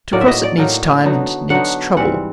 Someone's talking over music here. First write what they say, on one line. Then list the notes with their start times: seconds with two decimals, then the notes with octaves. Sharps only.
To cross it needs time and needs trouble.
0.13 A2 F#3 A#3 D#4 D5
0.21 E5
0.28 D#5
0.44 D5
0.58 A2 F#3 A#3 D#4
1.05 D3 F#3 B3 D#4
1.50 D3 F#3 B3 D#4 F#5
1.97 G#2 E3 G3 C4 F#5